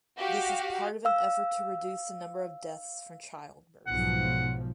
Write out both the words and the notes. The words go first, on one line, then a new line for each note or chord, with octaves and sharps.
This is part of an effort to reduce the number of deaths from childbirth.
F#4 G4 F5
F5 E6
B1 G#2 F3 F#5